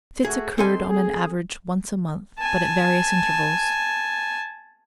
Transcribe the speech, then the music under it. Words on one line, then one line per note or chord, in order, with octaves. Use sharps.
The fits occurred, on an average, once a month, but at various intervals.
A3 F#4 G#4
G#3 C4 A4 G#5 C6
G#4
G#5 A5